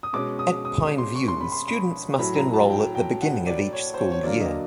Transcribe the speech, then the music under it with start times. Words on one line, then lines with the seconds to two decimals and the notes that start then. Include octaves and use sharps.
At Pine View, students must enroll at the beginning of each school year.
0.03 D#6
0.13 B2 G#3 C#4 D6
0.39 D#6
0.65 D#6
0.98 C6
1.16 C#6
1.28 C6
1.40 B5
1.52 C6
1.68 B5
2.19 A2 F#3 A3 B5
2.36 A#5
2.53 A5
2.70 G5
2.95 G5
3.22 F#5
3.47 D5
3.73 C#5
3.94 C5
3.99 C#5
4.11 C#5
4.23 D3 F#3 A#3 D5
4.40 D#5